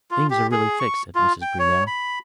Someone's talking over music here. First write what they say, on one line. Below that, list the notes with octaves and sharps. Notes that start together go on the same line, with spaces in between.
"Things are really fixed," said Mrs. Greenow.
F4
G4
G#4
C#6
F4
G5
C#5
B5